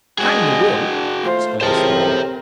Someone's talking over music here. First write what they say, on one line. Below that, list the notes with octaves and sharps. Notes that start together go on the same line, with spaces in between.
"Hang the will!" exclaimed Stephen.
G#3 D4 F#4 G#4 D#5
D4
A3 F4 C5
C#2 A2 C3 C4 A#4 C5 A5